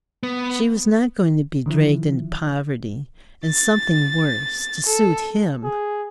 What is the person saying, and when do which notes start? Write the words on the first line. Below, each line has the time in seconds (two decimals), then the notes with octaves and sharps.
She was not going to be dragged into poverty and something worse to suit him.
0.23 B3
1.66 D3 D#3 F3 E4
3.47 A6
4.86 A4
5.64 G#4